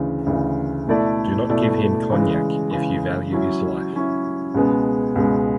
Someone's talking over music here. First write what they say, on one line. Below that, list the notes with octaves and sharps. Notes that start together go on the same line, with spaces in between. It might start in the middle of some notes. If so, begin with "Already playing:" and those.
Do not give him cognac if you value his life.
Already playing: D2 C#3 E3
D2 C#3 E3
B2 A3 E4 A4 D5
B2 A3 E4 A4 D5
C#3 E3 G#3
C#3 E3 G#3
F#3 C#4 E4
F#3 C#4 E4
C#2 B2 G#3 B3
C#2 B2 G#3 B3